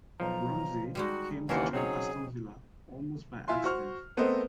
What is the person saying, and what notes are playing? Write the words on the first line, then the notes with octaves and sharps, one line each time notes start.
Ramsay came to join Aston Villa almost by accident.
B1 F3 A#5
G3 G#3 D#4 F#4
D#2 C#3 E3 D4 F#4 A#4 C5 F#5
F#3 C4 D#4 G#4 C#5
E4 F4 E5 G#5 C6
F#4 C5 C#6 F6
A3 B3 C4 A#4 C5 D#5